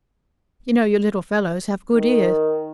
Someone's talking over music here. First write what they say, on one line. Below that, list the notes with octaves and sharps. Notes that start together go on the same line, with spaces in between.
You know, your little fellows have good ears.
D#3